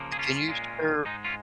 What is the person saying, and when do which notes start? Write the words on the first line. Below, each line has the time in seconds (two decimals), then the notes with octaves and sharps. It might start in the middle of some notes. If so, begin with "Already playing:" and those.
can you share
Already playing: C#3 F3 A#3
0.12 G#4
0.19 C#4 F4
0.48 A#2 G#3
1.05 G#2 G#3 D#4
1.25 C#4 F4